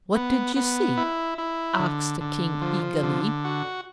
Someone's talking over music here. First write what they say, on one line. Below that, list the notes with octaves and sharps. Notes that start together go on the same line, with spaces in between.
"What did you see?" asked the King eagerly.
B3
B3
E4
E4
D3
D3
F3
D3
F#4